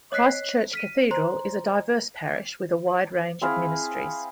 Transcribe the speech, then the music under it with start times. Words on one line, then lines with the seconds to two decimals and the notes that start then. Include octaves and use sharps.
Christ Church Cathedral is a diverse parish with a wide range of ministries.
0.12 C#5 D#5 F#6 B6 C7
0.73 F6 B6 D#7
1.11 C5 A#5 C6
3.42 C4 E4 G#4 F5